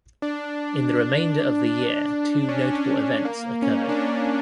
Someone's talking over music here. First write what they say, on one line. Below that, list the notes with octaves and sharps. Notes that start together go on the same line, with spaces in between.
In the remainder of the year two notable events occurred.
D4
C#4
D4
C#4
D4
C#4
A#3
C#4
D4
C#4